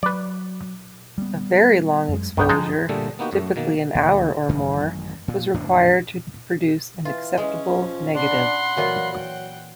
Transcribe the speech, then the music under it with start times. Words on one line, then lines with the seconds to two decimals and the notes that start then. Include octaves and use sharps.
A very long exposure-typically an hour or more-was required to produce an acceptable negative.
0.03 F#3 B4 D5
1.18 G3 B3
2.09 F#2 G#3
2.37 C2 G2 D#3 B3 G5
2.49 F3 G#3 D#4 A5
2.89 A#2 D3 G3 A3 G#4 A4
3.19 A#3 B3 D#4 F#4 G4
3.33 F#2 A3
3.56 B2 D#3 A#3
3.95 D2 A#2 D3
4.49 A1 F#2 D#3
5.28 A#2
5.54 E2 A2 C#3 D4
7.05 E3 F4
7.38 G#3 C#4
7.69 F3
8.15 D4 F#5 B5 C6
8.77 A#2 E3 F#3 F4
9.12 F#3 F#5 G5